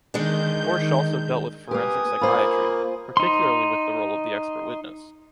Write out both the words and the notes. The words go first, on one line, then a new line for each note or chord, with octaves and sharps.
Hoche also dealt with forensic psychiatry, particularly with the role of the expert witness.
D#3 G#3 D4 G6
A#3 G4 B4 G#5 D#6
A#3 F4 C5 B5
D#4 C6